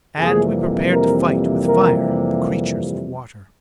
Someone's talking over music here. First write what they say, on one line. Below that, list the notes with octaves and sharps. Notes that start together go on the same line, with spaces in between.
And we prepared to fight, with fire, the creatures of water.
F2 C3 E3 G3 A#3 G#4
A#4
A#4